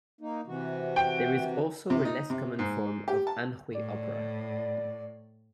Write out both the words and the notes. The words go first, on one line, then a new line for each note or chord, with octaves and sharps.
There is also a less common form of Anhui opera.
A#3 D#4
C3 E3 F#4
G5
C3
D#4
C3
G#2
G4
A5
A2 D5